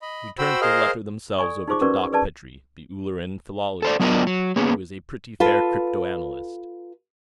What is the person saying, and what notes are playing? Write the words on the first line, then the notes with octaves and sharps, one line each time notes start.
We turned the letters themselves over to Doc Petrie, the Ulleran philology sharp, who is a pretty fair cryptanalyst.
D#5 B5
F#4 C5 G5 B5 E6
G#4 A#4 C5 D#5 F5
A4 D5 G#5 C#6
D#4 F4 G#4 C5 C#6 D6
C#4 F#4 A#4 B4 D5 C#6
G#4 B4 D5 A5
A4 C5 D5
F#3 B3 D4 F4 A#4 D#5
F#3
A#3 B3 C#4 G#4
F4 A4 B4